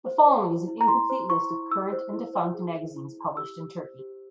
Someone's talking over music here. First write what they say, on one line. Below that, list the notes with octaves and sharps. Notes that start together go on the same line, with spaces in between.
The following is an incomplete list of current and defunct magazines published in Turkey.
C5
C5
E4
E4
A#5
E4 C6
C5
E4 C#6
E4
E4 E6
C5
E4
C5
G#4
E4
E4
E4
G4 E6
G4
C5
G4